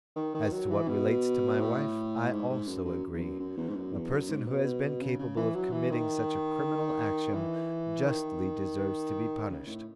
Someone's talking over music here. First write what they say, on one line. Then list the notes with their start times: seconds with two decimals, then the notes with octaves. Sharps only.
As to what relates to my wife, I also agree; a person who has been capable of committing such a criminal action, justly deserves to be punished.
0.16 D#3
0.34 D#3
0.52 F#3
0.70 E3
0.88 B2
1.60 A2
2.31 G#2
2.50 G#2
2.67 F#2
2.85 F#2
3.13 E2
3.21 F#2
3.39 F#2
3.57 E2
3.69 G#2
3.75 F#2
3.93 E2
4.11 F#2
4.29 G#2
4.46 B2
4.65 B2
4.83 B2
5.01 C#3
5.19 C#3
5.37 E3
5.55 F#3
5.72 E3
5.91 D#3
7.34 E3
8.05 D#3
9.50 C#3
9.67 A2